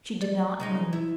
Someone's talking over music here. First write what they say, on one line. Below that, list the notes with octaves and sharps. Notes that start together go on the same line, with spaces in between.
She did not move.
D5
C#3 G#3 D#4
E4